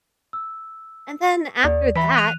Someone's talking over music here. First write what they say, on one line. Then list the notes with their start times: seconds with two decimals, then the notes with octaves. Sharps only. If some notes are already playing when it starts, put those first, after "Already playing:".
And then, after that
0.33 E6
1.64 D#2 D5
1.95 E3 E5 B5 B6
2.15 F#6 D#7 F7